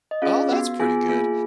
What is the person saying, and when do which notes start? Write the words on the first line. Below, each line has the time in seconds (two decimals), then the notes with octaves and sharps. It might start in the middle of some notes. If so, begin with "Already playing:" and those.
Oh, that's pretty good.
0.11 D#5
0.22 C#4 F4 G#4 F5
0.51 B3 F#4
0.79 B3 F4 G#4 G#5
1.09 A#3 F4 G#4